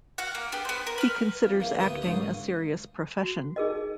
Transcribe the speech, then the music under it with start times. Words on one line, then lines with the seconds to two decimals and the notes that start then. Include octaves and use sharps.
He considers acting a serious profession.
0.18 F#4 F5 F#5
0.35 A#3
0.52 B3 D4 G4 G#4
0.65 B3 C5
0.87 A#4
0.98 B4 F6
1.44 F2
1.60 E2 A#3
1.79 A1 D2 E4 G4 B4 D#6
2.02 D#2 G#2 C#3 D4 D#6
3.23 F#4
3.56 D#4 G#4 A#4 D#5